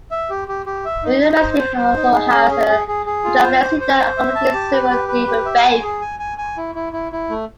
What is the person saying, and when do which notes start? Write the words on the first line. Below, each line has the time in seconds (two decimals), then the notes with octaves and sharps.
The university also has a Chaplaincy that accommodates several different faiths.
0.11 E5
0.30 G4
0.48 G4
0.66 G4
0.85 E5
1.03 D#4
1.22 D#4
1.40 C5
1.59 C5
1.77 C5
1.96 D#4
2.14 G#4
2.33 C#4
2.51 G#4
2.69 G#4
2.87 G#4
3.06 G#4
3.25 F4
3.43 C5
3.61 C5
3.80 C5
3.98 C5
4.17 E5
4.35 A5
4.53 G4
4.72 B4
4.90 G4
5.08 B4
5.27 G4
5.45 E5
5.65 G#5
5.82 G#4
6.01 G#5
6.19 G#5
6.38 G#5
6.57 E4
6.75 E4
6.93 E4
7.12 E4
7.30 A3